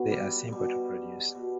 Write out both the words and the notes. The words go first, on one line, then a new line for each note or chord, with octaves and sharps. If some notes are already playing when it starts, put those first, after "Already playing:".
They are simple to produce.
Already playing: B2
G3
B2 G3
B2